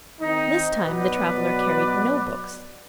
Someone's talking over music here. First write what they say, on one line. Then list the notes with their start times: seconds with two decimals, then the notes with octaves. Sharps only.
This time the traveller carried no books.
0.21 D#3 C4 D#4
0.83 B2 F#3 B3 B4 D5